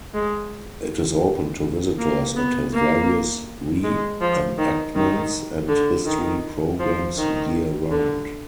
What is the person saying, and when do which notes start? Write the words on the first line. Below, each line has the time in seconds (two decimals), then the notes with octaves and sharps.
It is open to visitors and has various re-enactments and history programs year round.
0.14 G#3
1.99 A#3
2.36 B3
2.73 A#3
3.83 G#3
4.21 F3
4.58 D#3
4.95 D#3
5.68 D3
6.05 D#3
6.79 F3
7.17 D#3
7.91 D3